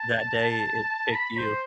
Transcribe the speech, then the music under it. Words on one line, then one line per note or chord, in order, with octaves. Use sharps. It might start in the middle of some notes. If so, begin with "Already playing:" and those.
that day it picked you.
Already playing: A5
B5
C5